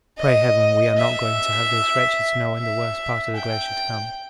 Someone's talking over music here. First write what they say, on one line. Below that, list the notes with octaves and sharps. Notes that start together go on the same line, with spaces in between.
Pray heaven we are not going to have this wretched snow in the worst part of the glacier to come.
D#5
E5
E5
G5